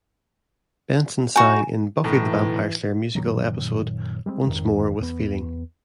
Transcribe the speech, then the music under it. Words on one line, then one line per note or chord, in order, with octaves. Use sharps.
Benson sang in the "Buffy the Vampire Slayer" musical episode "Once More, with Feeling".
D#4 F#4 G#5
B1 A2 E3
F#1 A#2 D#3 F#3
G3 G#3 A#3 C4
G#1 F2 D#3
E2 B3